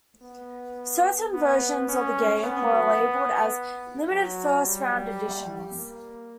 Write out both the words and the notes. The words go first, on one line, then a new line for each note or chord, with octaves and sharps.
Certain versions of the game were labeled as "Limited First Round Editions".
B3
B3
C#4
B3
F#3
G3
A#3